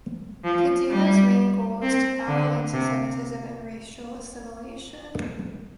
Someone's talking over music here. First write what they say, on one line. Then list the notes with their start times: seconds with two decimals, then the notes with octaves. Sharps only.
Kadimah's main goal is to battle anti-Semitism and racial assimilation.
0.44 F3
0.90 G3
1.82 C4
2.28 D3
2.73 C3